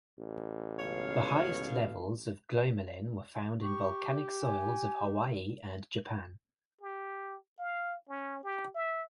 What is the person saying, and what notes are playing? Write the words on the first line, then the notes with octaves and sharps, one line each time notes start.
The highest levels of glomalin were found in volcanic soils of Hawaii and Japan.
A1
C#2 B2 C#5 F5
G4 C#6
G#5
G4
F5
C#4
G4
E5